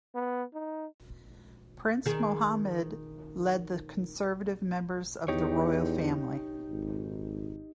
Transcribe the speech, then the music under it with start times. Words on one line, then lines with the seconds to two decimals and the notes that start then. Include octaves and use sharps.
Prince Muhammad led the conservative members of the royal family.
0.15 B3
0.53 D#4
2.06 D#3 G#4
5.28 E2 D#4 G4 C#5
6.70 G#1